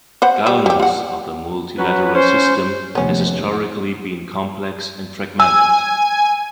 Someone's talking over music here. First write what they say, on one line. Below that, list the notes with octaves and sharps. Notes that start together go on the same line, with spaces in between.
Governance of the multilateral system has historically been complex and fragmented.
B4 C5 F#5
G3 G4 C5
G3 G4
F4 F#5
F#3 C#4 B4
C#4 C5
F1 D#2 B3 C#4
G#5 E6